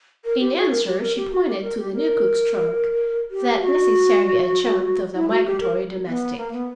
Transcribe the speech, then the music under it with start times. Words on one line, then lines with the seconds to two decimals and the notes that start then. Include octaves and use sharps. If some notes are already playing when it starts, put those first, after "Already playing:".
In answer she pointed to the new cook's trunk--that necessary adjunct of the migratory domestic.
0.25 A#4
0.40 G4
0.55 F#4
0.70 A#4
0.86 G4
1.01 A#4
1.17 G4
1.32 F#4
1.47 G4
1.62 A#4
1.78 G4
1.93 A#4
3.31 G4
3.61 F#4
5.14 E4
5.30 F#4
5.45 G4
5.60 A#4
6.06 B3
6.37 A#3
6.53 B3